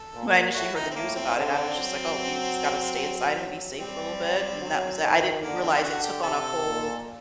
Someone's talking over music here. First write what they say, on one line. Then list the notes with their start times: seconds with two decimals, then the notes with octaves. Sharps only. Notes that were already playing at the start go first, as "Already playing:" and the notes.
when I initially heard the news about it, I was just like, "Oh, you just gotta stay inside and be safe for a little bit," and that was tha I didn't realize it took on a whole
Already playing: A4
0.14 A#2
0.54 A2 F#4
0.76 D#4
0.90 C4
0.95 A2 A#3
1.16 C4
1.36 D3 C4
1.77 F#3
3.79 G3 C4
4.60 F#3
5.02 D#3
5.42 D3 A#3
5.62 C4
5.74 G4
5.83 F#4
6.03 G4
6.23 C3 A4
6.64 A#2